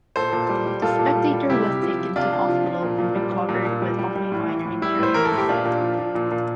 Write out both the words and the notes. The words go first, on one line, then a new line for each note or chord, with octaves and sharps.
The spectator was taken to hospital and recovered with only minor injuries.
A#2 A4 C5
A#2
G3
G3
A#2 F4 A4
A#2
G3
G3
C3 E4 G4
C3
F3
F3
C3 D4 F4
C3
F3
F3
A#2
A#2
G3
G3
A#2
A#2
G3
G3
G3
A2
E3
A2
G3 E4
A2 C5
E3 A#4
A4
A2
G4
A#2 D4 F4
A#2
F3
F3
A#2
A#2